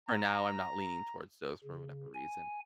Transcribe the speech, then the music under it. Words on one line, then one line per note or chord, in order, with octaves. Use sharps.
for now, I'm not leaning towards those for whatever reason.
A#5
C#3
G#5